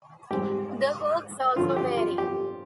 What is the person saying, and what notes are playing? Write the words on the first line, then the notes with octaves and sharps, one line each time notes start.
The hooks also vary.
G#2 G3 C4 G4
G2 D3 F3 C4 F4
G4
F4
G4